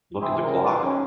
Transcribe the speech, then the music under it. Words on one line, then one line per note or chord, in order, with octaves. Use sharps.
Look at the clock?
C3 E3 E4 G4 G#4 C5
C#3 G3 A#4
D#4 B4 A5 C6 D6
C#4